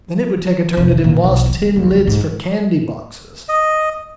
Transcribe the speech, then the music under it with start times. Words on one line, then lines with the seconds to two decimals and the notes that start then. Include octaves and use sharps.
Then it would take a turn at embossed tin lids for candy boxes.
0.77 F1
0.92 D#3
1.04 A#2
1.24 B1
1.46 E3
1.62 A3
1.76 D#2
1.91 D2
2.07 G#2
3.49 D#5